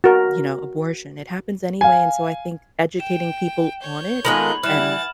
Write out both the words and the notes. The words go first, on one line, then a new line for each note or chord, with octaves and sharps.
You know, abortion, it happens anyway, and so I think educating people on it and
F#4 A#4
F5 G#5
G5 E7
C#5 G6
D#3 G#3 B3 F4 A4 A#4 B5 F#7
E3 G3 E4 F#5 F6 A6 E7